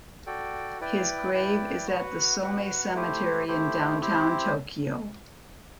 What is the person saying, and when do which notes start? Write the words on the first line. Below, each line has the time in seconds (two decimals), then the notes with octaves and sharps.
His grave is at the Somei Cemetery in downtown Tokyo.
0.27 F#4 A4 D5 G5
0.80 E4 B4 D5 G5
1.33 E4 B4 D5 G5
1.87 F#4 B4 F#5
2.40 F#4 B4 F#5
2.93 A3 E4 G4 C5
3.47 A3 E4 G4 C5
4.01 C4 E4 G4 C5